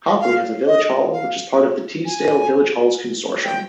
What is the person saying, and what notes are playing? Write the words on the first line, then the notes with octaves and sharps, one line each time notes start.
Copley has a Village Hall which is part of the Teesdale Village Halls' Consortium.
F5
D#5
F5
G#5
G5